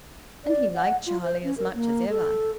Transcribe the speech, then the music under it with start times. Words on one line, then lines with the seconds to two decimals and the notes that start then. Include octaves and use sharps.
And he liked Charlie as much as ever.
0.45 D5
0.75 F#5
1.07 F4
1.23 C5
1.44 C#4
1.58 A#4
1.74 A#3
2.10 A4